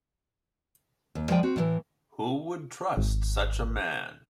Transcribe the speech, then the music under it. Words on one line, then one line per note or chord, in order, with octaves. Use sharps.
Who would trust such a man?
D#2
F3 G#3 D5 G5
C4 F#4
A2 D#3 E3
G#1